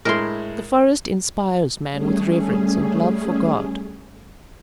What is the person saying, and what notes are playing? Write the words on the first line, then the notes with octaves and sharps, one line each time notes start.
The forest inspires man with reverence and love for God.
A2 G#3 E4 A#4 C6
G3 A3 C#4 G#4